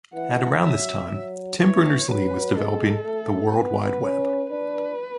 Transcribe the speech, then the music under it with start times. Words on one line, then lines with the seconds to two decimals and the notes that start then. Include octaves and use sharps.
At around this time, Tim Berners-Lee was developing the World Wide Web.
0.14 E3 F#5
0.62 F#3 E5
1.11 F#3
1.59 E3 C#5
2.08 F#3 B4
2.56 G#3 A4
3.04 A3
3.53 B3 B4
4.01 C#4
4.50 D4 B4